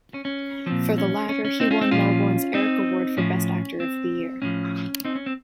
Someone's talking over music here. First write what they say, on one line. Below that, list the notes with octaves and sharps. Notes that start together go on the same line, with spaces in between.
For the latter, he won Melbourne's Erik Award for best actor of the year.
C#4
C#4
A#2 F3 C4
C#4
C#4
C#4
C4 D#4
C#4 F4
C4 D#4
A#2 F3 C#4 F4
C4 D#4
A2 F3 C#4
C4
A2 F3 C#4
C4 D#4
C#4
C4